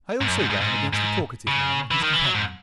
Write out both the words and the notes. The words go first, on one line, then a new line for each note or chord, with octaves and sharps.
I also ran against the talkative man and his companion.
G#2
F#2
G#2
G#2
G#2
G#2
C#3
E3
D#3
E3
F#3
G#2